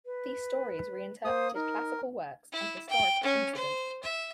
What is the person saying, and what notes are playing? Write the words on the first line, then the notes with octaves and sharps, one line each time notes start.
These stories reinterpreted classical works and historical incidents.
B4
A#3 C5 D#6
D#4 A#4
E4
G5
C#4
C5
E5